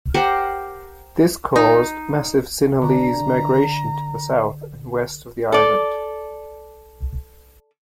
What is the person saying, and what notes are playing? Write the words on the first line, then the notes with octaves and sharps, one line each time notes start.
This caused massive Sinhalese migration to the south and west of the island.
G4 A#4 C5 F#5
D#4
D3 A#5
A4 D5